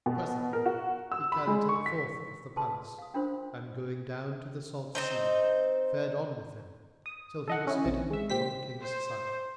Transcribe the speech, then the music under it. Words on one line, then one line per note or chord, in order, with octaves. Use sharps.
Presently he carried him forth of the palace and going down to the salt sea, fared on with him, till he was hidden from the King's sight.
B2
A#4
F#4
E6
B5
G#3
C#6
B6
F4 G#4 A4 B4 A5 C6
F5 D#6
C#4 D4 F4 A#4 C5 C6
C4 D#4 C5
D#6
A4 D#5 F#5
C#4 E4
A#1 C3 C4
G#3 E5
A#2 G4 C5 B6
C5